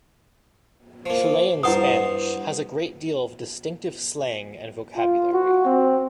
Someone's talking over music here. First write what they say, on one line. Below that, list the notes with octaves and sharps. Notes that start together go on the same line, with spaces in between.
Chilean Spanish has a great deal of distinctive slang and vocabulary.
F3 A#3
G2 E4 C5 F#5 C6 D#6
F4
F#4
C4